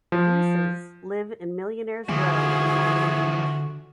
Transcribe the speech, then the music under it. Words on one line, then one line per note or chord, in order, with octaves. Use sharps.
The Reeses live in Millionaire's Row in Miami Beach.
F3
D3 E3 F3 F#4 G#4